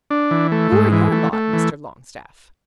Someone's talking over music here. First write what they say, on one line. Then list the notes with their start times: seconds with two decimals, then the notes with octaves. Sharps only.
"Who are your lot, Mr. Longstaff?"
0.11 D4
0.31 E3
0.52 A3
0.72 G#2
0.92 E3
1.12 A3
1.33 A3
1.53 E3